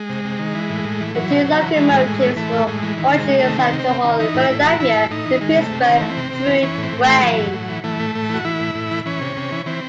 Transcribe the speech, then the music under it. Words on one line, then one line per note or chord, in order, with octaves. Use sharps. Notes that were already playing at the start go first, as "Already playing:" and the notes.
The two locomotives were originally assigned to haul Philadelphia to Pittsburgh through trains.
Already playing: G#3
C3
C3
D#3
E3
A2
A2
E3
E3 F#3
C3
C3
E3
E3 G#3
A2
A2
E3
E3 A3
A2
A2 G#3
E3
D#3
C3 G#3
C3
D#3 A3
D#3 C4
C3
C4
C3
D#3
E3 D#4
A2
E4
A2
F#4
E3
E3 E4
A2
A2 D#4
E3
D#3 G#3
C3 A3
C3
C#4
D#3 C4
E3 A3
C4
C3
C3
E3
E3 C#4
A2 C4
A2
A3
E3
G#3
E3 F#3
A2
A2
E3
E3 A3
A2
A2
E3 F#4
E3 E4
A2
A2
E3
E3 C#4
C3
C3
E3
E3 C4